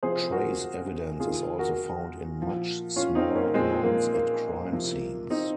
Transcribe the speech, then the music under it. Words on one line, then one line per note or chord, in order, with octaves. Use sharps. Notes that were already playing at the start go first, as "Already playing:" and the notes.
Trace Evidence is also found in much smaller amounts at crime scenes.
C3 F3 G#4 C5
F#4 A#4
C3 D#3 F4 G#4
F#4 A#4
A#2 F3
C#4 F4
C4 D#4
A#3 C#4
A#2 F3 G#3 C4
A#3
A#3
C3 F3
C4 D#4